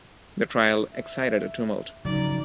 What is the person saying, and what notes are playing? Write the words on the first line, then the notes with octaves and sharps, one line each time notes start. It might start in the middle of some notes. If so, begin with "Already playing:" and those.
The trial excited a tumult.
E5
C#3 F3 F#3 D#4 D5